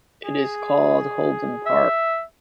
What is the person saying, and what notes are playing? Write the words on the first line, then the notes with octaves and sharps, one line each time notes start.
It is called Holden Park.
G#4
E5